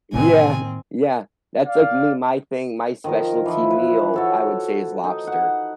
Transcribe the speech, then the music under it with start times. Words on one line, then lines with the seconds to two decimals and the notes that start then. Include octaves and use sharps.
Yeah, yeah. That's like me, my thing- my specialty meal- I would say, is lobster.
0.13 A2 C3 D#3 A#3 C4 G#5
1.65 D5 F5
3.04 D#3 F3 A#4
3.46 E3 F3
3.71 B4
4.14 F#4 A4 C#5
5.04 D#4
5.27 F#5